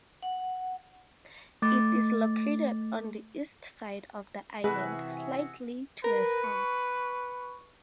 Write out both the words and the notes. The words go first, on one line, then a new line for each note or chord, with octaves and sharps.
It is located on the east side of the island, slightly to the south.
F#5
A3 D6 A6
C3 E3 G#3 F#4 G#4 B4 E5
A#4 B4
C#6